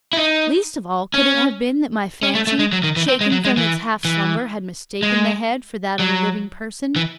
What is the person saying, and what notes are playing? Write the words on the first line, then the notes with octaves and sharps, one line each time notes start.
Least of all, could it have been that my fancy, shaken from its half slumber, had mistaken the head for that of a living person.
E4
D#4
C#4
C#4
A3
A3
G#3
F#3
D#3
E3
C4
G#3
F#3
G#3
E3
E3
G#3
F#3
E3